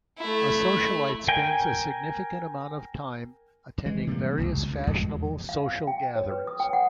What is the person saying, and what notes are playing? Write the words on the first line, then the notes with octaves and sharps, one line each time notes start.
A socialite spends a significant amount of time attending various fashionable social gatherings.
A3 E4
A#4 G5 G#5
E3 G#3
C3 G3 A#3
D1 C#2
D2
E2 E3 G#3
F5
G5
C#5
B4
D#6
G5
F#5